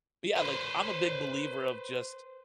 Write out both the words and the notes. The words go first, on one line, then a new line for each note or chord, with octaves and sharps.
but yeah, like, I'm a big believer of just
B4 C5